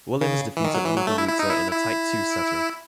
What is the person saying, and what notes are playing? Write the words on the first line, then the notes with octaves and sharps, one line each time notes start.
Williams defeated Muguruza in a tight two-setter.
C#3
E3
D#3
F#3
E3
F#3
A3
E4
E4
D#4
E4
E4